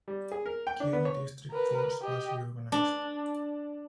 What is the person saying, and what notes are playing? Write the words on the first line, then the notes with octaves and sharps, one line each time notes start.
Kure District Force was reorganized.
G3
G#4
A#4
G5
D4
B3
C#5
A#4 B4
G4 D#5
D4